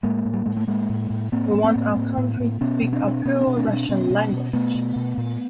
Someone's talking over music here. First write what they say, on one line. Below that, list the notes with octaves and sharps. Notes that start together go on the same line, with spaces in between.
We want our country to speak our pure Russian language.
A2 G#3 A#3
A2
G3
A2 G#3
A3
A2 G#3 A#3
A2
A2
A2 A#3 C4
A2
A#3 C4
A2
A2
A2
A2
B2 B3 C#4
B2
C4 D4
B2
B2 B3 C#4
C4 D4
B2
C4 D4
B2
C4 D4
B2 B3 C#4
B2
B2
B2 A3 B3
B2
B2
A#2